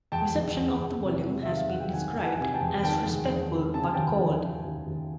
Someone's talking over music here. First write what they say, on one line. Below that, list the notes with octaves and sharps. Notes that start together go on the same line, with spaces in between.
Reception of the volume has been described as respectful but "cold".
E2 G5 A5
E2
E2
E2
C3
C3
E5
D#3
F5
E2 F#5
G5
D#3 F#5 G#5
D#3 A5
F#5 G#5
C3 G#5
G5 A5
E2
D#3 G5 A5
E2
E2
D#3
C#3 A5
G#5
D#2 G5 A5
E3
E3
D#2
D#2